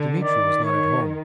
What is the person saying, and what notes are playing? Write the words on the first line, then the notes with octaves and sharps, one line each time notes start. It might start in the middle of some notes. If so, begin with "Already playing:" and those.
Dmitri was not at home.
Already playing: D3
D#3 D5
C#5